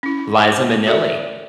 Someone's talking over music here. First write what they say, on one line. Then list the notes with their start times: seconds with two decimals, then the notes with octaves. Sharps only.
Liza Minnelli.
0.03 C#4 E4
0.87 F#4 A4 A#4 D5 E5